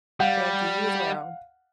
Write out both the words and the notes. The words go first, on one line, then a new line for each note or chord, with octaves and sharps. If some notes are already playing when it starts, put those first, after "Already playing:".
Thank you. You as well.
G3 F5 F#5